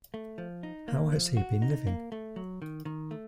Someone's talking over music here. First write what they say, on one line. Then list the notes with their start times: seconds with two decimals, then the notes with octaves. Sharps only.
How has he been living?
0.14 A3
0.38 F3
0.63 D#4
0.88 A#3
1.12 F3
1.37 F#4
1.62 D#4
1.87 A#3
2.12 A3
2.36 F#3
2.62 D#3
2.85 D#3
3.11 A3